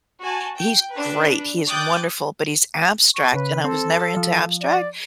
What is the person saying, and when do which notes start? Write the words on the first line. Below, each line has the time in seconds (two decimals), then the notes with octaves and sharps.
he's great, he is wonderful, but he's abstract, and I was never into abstract.
0.23 F#4 G#5 A5
0.57 G5
0.90 D4 B4
1.68 G5 D6 D#6 F#6 G6 A6
3.15 C#6
3.34 C#3 B4
3.64 C4 A4
3.99 A5
4.17 F3
4.61 D5